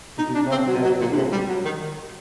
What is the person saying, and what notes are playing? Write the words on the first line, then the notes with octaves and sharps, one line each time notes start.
It is not navigable.
D#4
D4
C4
F#3
F#3
A#2
D3
C3
G3
F#3
D#3